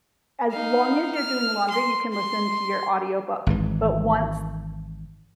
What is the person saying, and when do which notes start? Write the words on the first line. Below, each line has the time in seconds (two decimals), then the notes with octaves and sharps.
"As long as you're doing laundry, you can listen to your audiobook. But once
0.51 D#4 F5
1.15 F6
1.70 C6
2.13 C6
3.47 G#1 G#2 E3